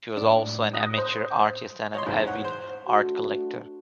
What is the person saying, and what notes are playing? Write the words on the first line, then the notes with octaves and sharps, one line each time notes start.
He was also an amateur artist and an avid art collector.
A2 D4
D#6 F#6 A#6
C5
C#5 D#5 C6
A1 E2 G#2 G#3
C#5 F#5
C5
A3 D4 F#4